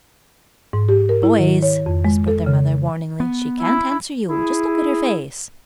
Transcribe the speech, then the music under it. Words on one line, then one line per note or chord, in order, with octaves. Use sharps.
"Boys," whispered their mother, warningly, "she can't answer you; just look at her face."
G#2
G4
A#4
E4
D#3
C#5
F2
G#3
A4
C#3
B3
E4
E4 G#4